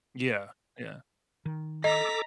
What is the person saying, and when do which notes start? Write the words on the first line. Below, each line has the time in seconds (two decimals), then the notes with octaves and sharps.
Yeah, yeah.
1.46 D#3
1.84 A4 D#5 A#5 D6 B6